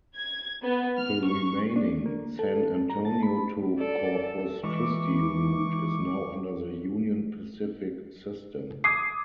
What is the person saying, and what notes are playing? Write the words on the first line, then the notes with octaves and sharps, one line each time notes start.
The remaining San Antonio-to-Corpus Christi route is now under the Union Pacific system.
G#6
B3
F6
C#6
D4
A#3
A4
A#5
A5
B5
A4 D5
E3 G#3 C#6 D6
D6 D#6 G#6 C7